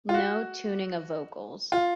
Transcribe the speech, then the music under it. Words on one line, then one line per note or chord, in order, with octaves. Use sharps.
No tuning of vocals.
F4
F#4
F4